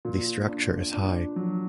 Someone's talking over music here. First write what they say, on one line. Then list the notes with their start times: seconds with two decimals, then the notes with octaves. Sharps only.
The structure is high.
0.05 A#2
0.48 D4
0.93 D4
1.36 F#3